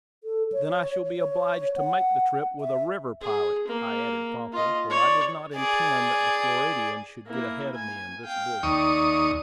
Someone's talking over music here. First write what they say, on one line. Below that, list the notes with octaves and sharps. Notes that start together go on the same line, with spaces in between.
"Then I shall be obliged to make the trip with a river pilot," I added promptly, for I did not intend that the Floridian should get ahead of me in this business.
A4
C#5
C#5
F#5
E5
G#4
A#3
F4 D#5
C#5 D5
G#4 D5
A#3 E4
G#5
F5 G5
D#2 D5 C#6 D#6